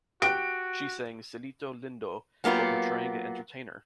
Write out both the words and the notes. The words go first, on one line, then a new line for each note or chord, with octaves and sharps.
She sang "Cielito Lindo" while portraying an entertainer.
F#4 G4 G5 F#6 D7
F#3 A#3 B3 F4 G4